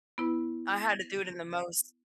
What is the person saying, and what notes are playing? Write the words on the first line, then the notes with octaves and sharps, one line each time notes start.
I had to do it in the most
B3 E4 B4